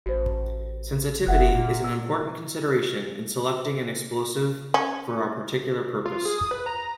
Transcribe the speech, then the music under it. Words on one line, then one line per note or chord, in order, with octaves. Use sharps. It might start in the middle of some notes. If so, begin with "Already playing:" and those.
Sensitivity is an important consideration in selecting an explosive for a particular purpose.
A1 F#4 C5
F#1 E5 F#5 F#6
A#2
E6
C#4
F4
G#4
D#6
B4
A#5